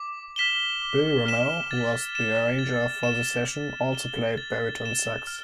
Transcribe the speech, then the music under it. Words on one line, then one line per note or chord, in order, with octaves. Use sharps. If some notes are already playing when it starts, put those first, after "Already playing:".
Bill Ramall, who was the arranger for the session, also played baritone sax.
Already playing: D6
F6 B6 E7 G7
D6
F6 B6 E7 G7
A6
E7 G7
A6
E7 G7
A6
E7 G7
A6
E7 G7
F6